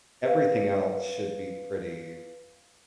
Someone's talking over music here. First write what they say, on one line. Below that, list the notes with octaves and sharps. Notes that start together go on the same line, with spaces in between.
everything else should be pretty
B4 F5